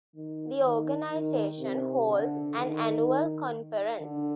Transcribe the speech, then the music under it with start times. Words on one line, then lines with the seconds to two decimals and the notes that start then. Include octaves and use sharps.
The organization holds an annual conference.
0.15 D#3
0.63 D#3
1.11 D#3
1.59 C3
2.08 D3
2.56 D#3
4.01 D3